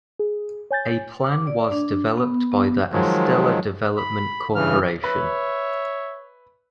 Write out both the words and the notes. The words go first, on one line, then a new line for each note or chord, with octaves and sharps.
A plan was developed by the Astella Development Corporation.
G#4
C#5 G#5 G6 A6
D6
D5
D4
B3
B3
D#3 F3 F#3 G#3
B5
G2 C#3 E3 F6
B4 C#5 E5